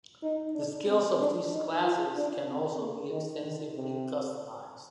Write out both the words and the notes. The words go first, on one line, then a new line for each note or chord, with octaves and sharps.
The skills of these classes can also be extensively customised.
D#4
D4
C4
D4
D#4
F4
D4
C4
A#3
D#3
D#3
C3